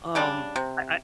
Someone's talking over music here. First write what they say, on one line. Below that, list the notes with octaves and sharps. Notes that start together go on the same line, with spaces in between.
Um, I
C#3 G3 D4
C3